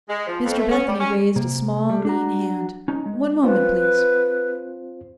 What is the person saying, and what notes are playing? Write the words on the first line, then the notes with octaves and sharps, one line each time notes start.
Mr Bethany raised a small lean hand: 'One moment, please.
G#3
F3
F2
A3
C#4
G3
C#4
C3 A#3
G3
D4 F#4 A#5
C#4 D#4
G#3
C4 F4 B4 C5